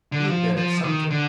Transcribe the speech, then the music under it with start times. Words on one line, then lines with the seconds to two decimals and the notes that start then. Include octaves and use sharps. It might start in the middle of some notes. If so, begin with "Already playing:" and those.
He had been at Sumter.
0.12 D3
0.30 F3
0.57 F3
0.84 D#3
1.10 D3